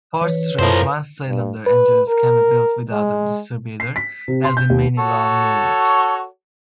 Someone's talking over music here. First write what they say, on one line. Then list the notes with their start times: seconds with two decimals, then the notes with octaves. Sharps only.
Four-stroke one-cylinder engines can be built without a distributor, as in many lawn mowers.
0.21 E3 B4 C#5
0.59 F#2 A2 F3 A#4 C5
1.27 G2
1.67 B4
2.09 A#4
2.92 G#3
3.80 C7
3.96 B6
4.28 C3
4.44 C6
4.57 G6
4.70 D#2
4.98 F#4 A4 C#5